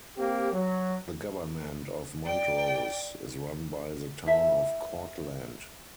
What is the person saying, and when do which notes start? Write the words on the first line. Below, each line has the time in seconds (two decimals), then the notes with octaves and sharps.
The government of Montrose is run by the Town of Cortlandt.
0.17 A#3 C4 G4
0.50 F#3
2.25 D5 G5
4.26 E4 A4 E5